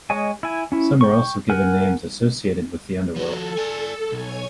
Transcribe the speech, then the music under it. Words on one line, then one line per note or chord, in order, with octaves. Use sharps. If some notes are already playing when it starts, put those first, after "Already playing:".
Some were also given names associated with the underworld.
G#3 C#5 D#5 G#5
E4 G#5
C#4 E4
G5 C#6
A#4 F#5 G#5
F3 F#4 A4
D5 G#5
B1 C#5 G#5 G#6